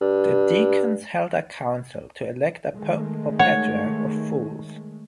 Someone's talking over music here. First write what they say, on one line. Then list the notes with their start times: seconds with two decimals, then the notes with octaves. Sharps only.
The deacons held a council to elect a Pope or Patriarch of Fools.
0.01 G2
2.75 D#3 G#3 A3
3.39 C#5 F#5